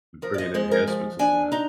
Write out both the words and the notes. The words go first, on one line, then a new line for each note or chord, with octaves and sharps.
bringing enhancements into that.
F3 A#4
D5
D#5
G#3 C5
A#4
F3
D4 G#5
D#4 A#5